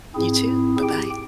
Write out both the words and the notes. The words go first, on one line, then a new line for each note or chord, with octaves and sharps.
You too. Bye-bye.
G#2 C4 E4 G#4
G4 G5